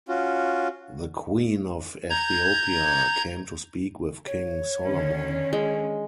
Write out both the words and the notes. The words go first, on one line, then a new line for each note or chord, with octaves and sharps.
The queen of Ethiopia came to speak with King Solomon.
C#4 F4 F#4
A#5 G6 G#6
C#5
D3 D#3 C#4
G#3